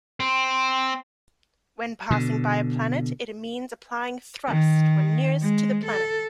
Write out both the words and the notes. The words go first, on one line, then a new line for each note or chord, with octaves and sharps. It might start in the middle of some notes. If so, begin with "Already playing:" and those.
When passing by a planet it means applying thrust when nearest to the planet.
C4
B2 D3
D#3
G#3
A4